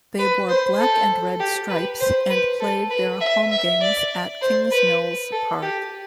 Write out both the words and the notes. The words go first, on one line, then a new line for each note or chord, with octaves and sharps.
They wore black and red stripes and played their home games at Kingsmills Park.
B4
C5
A4
G4
B4
C5
B4
A4
B4
E5
E5
D5
C5
B4
A4
G4